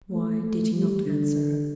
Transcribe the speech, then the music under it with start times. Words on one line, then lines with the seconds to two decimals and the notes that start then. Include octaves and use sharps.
Why did he not answer her?
0.11 A3
0.43 A3
0.74 G3
1.06 D3